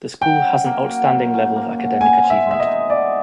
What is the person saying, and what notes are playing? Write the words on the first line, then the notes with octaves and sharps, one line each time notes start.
The school has an outstanding level of academic achievement.
F#3 G5
C#4
A#3
F#4
F#3
C#4
A#3
F#4
B2 G#5
C4
E5
G#3
E5
D#5
D#4
B2 D5